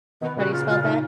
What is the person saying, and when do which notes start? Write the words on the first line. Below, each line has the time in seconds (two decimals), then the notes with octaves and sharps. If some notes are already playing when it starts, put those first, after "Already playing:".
How do you spell that?
0.21 B2 D#3 B3
0.36 A#2 C#3 F#4
0.52 F4
0.68 F4
0.84 A#2 C#3 D#4